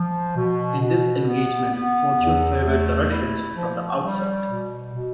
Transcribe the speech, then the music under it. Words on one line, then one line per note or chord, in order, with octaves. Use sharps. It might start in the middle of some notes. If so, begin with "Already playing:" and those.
In this engagement, fortune favored the Russians from the outset.
Already playing: F3
B2
B2
B3
B3
E2
A3
E4
F3
G3
B2
B2